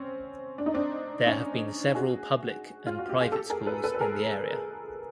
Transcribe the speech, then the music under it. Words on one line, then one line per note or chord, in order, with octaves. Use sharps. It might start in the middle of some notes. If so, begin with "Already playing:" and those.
There have been several public and private schools in the area.
Already playing: C4 C#4
D4
D#4
C4 D4
C#4 D#4
F#4 G#4
F4
F#4
G4
G#4
G4 A4
G#4 A#4
A4 B4
A4 B4
B4
G#4 A#4